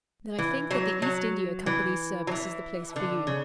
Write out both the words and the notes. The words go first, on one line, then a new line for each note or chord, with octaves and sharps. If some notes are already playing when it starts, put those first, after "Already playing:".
"Then I think that the East India Company's service is the place for you."
E3
F#3
F#3
E3
F#3
E3
D3
C#3